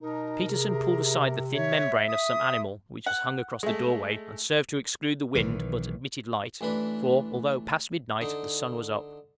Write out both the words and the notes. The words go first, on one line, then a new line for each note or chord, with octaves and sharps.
Petersen pulled aside the thin membrane of some animal, which hung across the doorway, and served to exclude the wind, but admitted light, for, although past midnight, the sun was up.
B2 D#4 A#4
C3 G#4
C#5 E5
D#6
F#5
G#3 A3
B1 D#3 E3
A1 E3 D4 B4
D3 D#4